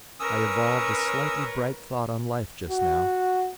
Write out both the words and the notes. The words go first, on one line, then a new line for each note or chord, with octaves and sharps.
I evolved a slightly bright thought on life just now.
C#4 A#4 B4 C#5 D#6 E6
F#4